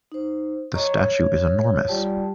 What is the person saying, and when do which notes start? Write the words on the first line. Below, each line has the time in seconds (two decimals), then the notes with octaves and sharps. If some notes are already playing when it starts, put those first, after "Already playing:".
The statue is enormous.
0.12 D#4 C5
0.74 C#5 D#5 A#5 C#6
1.00 C#5
1.88 G3 F4 G4 D5 G5 A5